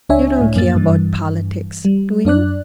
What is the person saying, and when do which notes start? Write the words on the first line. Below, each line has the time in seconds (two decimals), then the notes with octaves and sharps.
"You don't care about politics, do you?"
0.09 C#2 D4 C#5 E5 G#5
0.41 A2
0.56 F#2 A#3 A6
0.75 G2 E3
1.85 G3
2.25 F#2 D4 D5 F#6